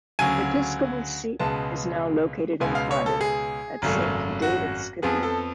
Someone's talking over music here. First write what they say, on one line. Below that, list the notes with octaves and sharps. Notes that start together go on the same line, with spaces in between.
The Episcopal Seat is now located in Cardiff, at Saint David's Cathedral.
D2 C#3 F#3 G#5
C#2 B2 G#3 B3 A5
C#2 B2 G#3 B3 G#5
F5
C#5
A4
G#4
G#1 F#2 C#3 F#3 A3
F#4
F2 F3 B3 G#4
A4